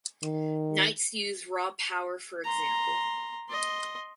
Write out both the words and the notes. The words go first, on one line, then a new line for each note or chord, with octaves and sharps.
Knights use raw power for example.
D#3
A#5 C6
D#5 C6